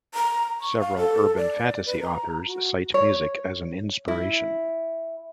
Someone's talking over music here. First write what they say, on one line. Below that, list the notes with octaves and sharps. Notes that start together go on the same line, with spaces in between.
Several urban-fantasy authors cite music as an inspiration.
A#5
C#6
F5
A4
D5
B4
A#5
F#4
C#5
E4